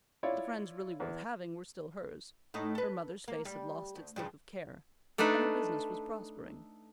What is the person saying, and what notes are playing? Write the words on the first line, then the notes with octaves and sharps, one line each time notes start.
The friends really worth having were still hers, her mother's face had lost its look of care, and her business was prospering.
E4 F4 C#5 D5
E2
A2 A3 D#4
A4 B4
A#3
G3
D2
G2 C#3 F3
A3 D4 D#4 A4 B4